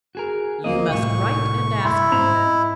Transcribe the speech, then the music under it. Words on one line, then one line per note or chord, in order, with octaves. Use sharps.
"You must write and ask her."
F#4 G#4 A#4
D2 A#3 C4 D#5
C2 A2 C#6
G2 E4 C6
G#2 C4 A#5
D#5